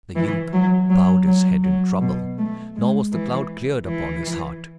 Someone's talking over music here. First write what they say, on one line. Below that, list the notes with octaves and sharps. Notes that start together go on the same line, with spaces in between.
But the youth bowed his head in trouble, nor was the cloud cleared upon his heart.
E3
F#3
F#3
F#3
F#3
B2
A3
G#3
E3
E3